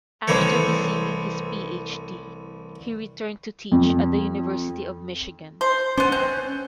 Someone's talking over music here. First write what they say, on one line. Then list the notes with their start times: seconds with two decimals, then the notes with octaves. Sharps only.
After receiving his PhD, he returned to teach at the University of Michigan.
0.28 C2 E3 A3 C5 C#5
3.72 F2
5.61 C5
5.97 B3 C#4 C5
6.12 C4